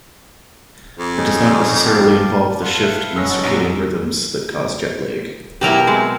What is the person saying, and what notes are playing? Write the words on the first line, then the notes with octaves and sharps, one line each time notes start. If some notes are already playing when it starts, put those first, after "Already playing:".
It does not necessarily involve the shift in circadian rhythms that cause jet lag.
F2
C#4 D#4
G4 F5 A5
A4 B4 F5 F#5 C6
E5
C#4 D#6 E6 A#6
D#4 F#5 A5
A#1 F#3 D#4 F#5 D6
B2 F#3 E4 G4 A#4
G#3 C4